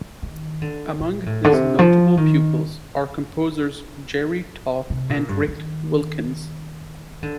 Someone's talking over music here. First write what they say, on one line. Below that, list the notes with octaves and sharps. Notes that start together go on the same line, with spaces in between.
Among his notable pupils are composers Jerry Toth and Rick Wilkins.
D#3
D3
A#2
A2
D3
C3
F3
D#3
C3
A#2
G2
D#3
D3